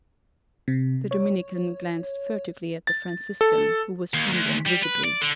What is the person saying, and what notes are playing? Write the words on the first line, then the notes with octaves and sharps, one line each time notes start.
The Dominican glanced furtively at the Franciscan, who was trembling visibly.
C3
C#5
A6
A4
D#2
D2
G3
B4
D5
D3